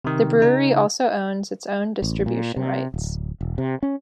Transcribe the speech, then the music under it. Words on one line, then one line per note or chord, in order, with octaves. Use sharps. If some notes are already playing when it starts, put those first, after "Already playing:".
The brewery also owns its own distribution rights.
C3 D#3
C#3 D#4
A1
A#2
C3
D1
E1
C3
C#4